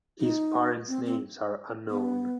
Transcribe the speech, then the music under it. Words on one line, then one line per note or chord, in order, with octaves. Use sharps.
His parents names are unknown.
D#4
C4
C4
B3